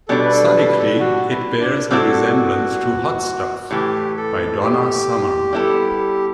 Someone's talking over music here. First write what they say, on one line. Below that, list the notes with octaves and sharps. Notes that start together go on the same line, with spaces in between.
Sonically, it bears a resemblance to "Hot Stuff" by Donna Summer.
B2 G3 D4 A4
B4
A4
B4
A4
B4
A4
F#4
E4
D4
G3 C4 E4 F#4 A4
A2 E3 A3 G4
A4
G4
G3 B3 E4 A4